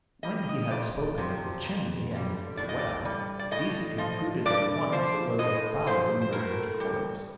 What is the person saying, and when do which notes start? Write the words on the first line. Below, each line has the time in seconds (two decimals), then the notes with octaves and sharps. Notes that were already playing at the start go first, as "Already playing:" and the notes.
When he had spoken of the chimney and the well Deasey concluded at once it was a foully murdered corpse.
0.23 G3 D#5
0.49 D#5
0.71 F2 D5
1.18 C3 F3
1.65 F2
2.11 D3 G3
2.57 A2 D5
2.69 D#5
2.79 D5
3.05 G3
3.39 D5
3.51 A2 D#5
3.98 F3 D#5
4.45 G2 D5
4.92 F3 C5
5.39 A2 D#5
5.87 F3 C5
6.21 C5
6.32 A2 A#4
6.80 G3